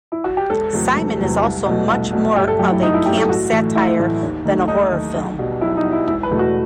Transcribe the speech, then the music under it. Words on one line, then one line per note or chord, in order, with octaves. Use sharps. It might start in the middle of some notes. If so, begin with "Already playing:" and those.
"Simon" is also much more of a camp satire than a horror film.
E4
F#4
G4
E1 A4
E2 C3 F#3 A3
E1
E2 C3 F#3 A3
C2
B2 A3
C2
B2 A3
G1 G4
A4
F#2 F#3 A3 G4
E4
G1 D#4
E4
F#2 F#3 A3 G4
A4
A1 F#4
A2 E3 A3
A1 E4
A2 E3 A3
D#2
D#3 A3
D#2 D#4
D#3 A3
B1
B2 G3
B1 E4
D#4
B2 G3
E4
E1 E4
B4
E2 B2 A3
F#4